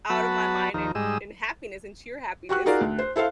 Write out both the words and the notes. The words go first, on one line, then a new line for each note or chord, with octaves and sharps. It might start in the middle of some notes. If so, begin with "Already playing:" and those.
out of my mind, and and happiness, and sheer happiness.
F#3 B3 F#4 A5 B5
D#2 F3 D#4 A#4
G#2 G3 G#3 D#5 E6
F#4 G4 C#6 F#6
D#4 F4 F#4 G#4 A#4 D5
D2
C5
E4 A4 C5 F5